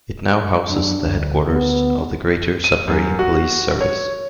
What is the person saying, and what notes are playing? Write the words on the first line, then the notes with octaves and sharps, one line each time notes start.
It now houses the headquarters of the Greater Sudbury Police Service.
F#2 D4
D2
B3
D#7
F#2
F#4
C#5